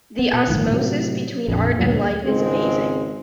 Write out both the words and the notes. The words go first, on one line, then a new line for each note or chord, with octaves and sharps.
The osmosis between art and life is amazing.
B3
B2
G1 A2 D#3 F3
A2 C3 F#3
A#1 F2
D2 G2 A#2 F#3
G#1 C#2 G#3 C4